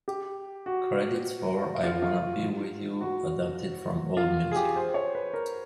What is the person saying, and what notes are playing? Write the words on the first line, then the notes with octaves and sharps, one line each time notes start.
Credits for "I Wanna Be with You" adapted from AllMusic.
G4
F#4
F4
F4
F#4
F4
G#4
G4
C5
C#5
B4
A#4